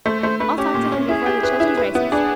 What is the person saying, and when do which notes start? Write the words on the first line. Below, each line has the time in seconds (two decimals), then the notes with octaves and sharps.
I'll talk to him before the children's races.
0.06 A3 C5
0.23 A3 C5
0.40 A3 B4
0.58 C#4 G4
0.74 A#2
0.92 C#4
1.09 E4 G#4
1.26 G4
1.43 B4
1.60 E4
1.77 B4
1.95 B3
2.12 D4 G#4